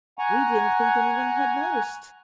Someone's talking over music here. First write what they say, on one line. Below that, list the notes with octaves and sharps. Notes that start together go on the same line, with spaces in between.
We didn't think anyone had noticed.
F#5 G#5 A#5 C#6